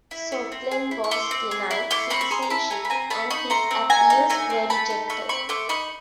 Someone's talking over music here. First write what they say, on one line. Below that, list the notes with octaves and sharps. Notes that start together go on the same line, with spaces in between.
Soblen was denied citizenship, and his appeals were rejected.
E4
A3
C4
G#4
E4
C#6
A3 C6 D6
C4
G#4
E4
A3 C6 D6
C4 B5 C#6
C#6
G#4 A#5 C6
A#5
E4 A5 B5
A3 G#5 A#5
B5
C4 G#5 A#5
A3 A5 B5
D#4 B5 C#6
A3 A#5 C6
C4
A3 G#5 A#5
D#4
A3 G#5 A#5
C4
A3 A5 B5
D#4
A3 B5 C#6
C4 B5 C#6
A3 C6 D6
D#4 B5 C#6